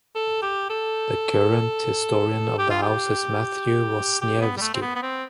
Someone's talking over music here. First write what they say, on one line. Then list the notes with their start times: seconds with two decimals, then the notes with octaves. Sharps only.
The current Historian of the House is Matthew Wasniewski.
0.15 A4
0.42 G4
0.70 A4
2.59 G4
2.71 F4
2.82 G4
4.21 G4
4.41 B3
4.57 G3
4.61 A3
4.75 C4
4.82 B3
4.96 B3
5.02 C4